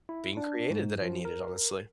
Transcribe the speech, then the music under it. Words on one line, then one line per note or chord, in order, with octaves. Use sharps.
being created, that I needed, honestly.
E4
D4
G#2
F3
A#4